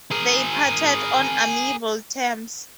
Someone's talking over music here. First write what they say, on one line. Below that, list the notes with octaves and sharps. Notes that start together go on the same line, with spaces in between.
They parted on amiable terms.
G#4 A#4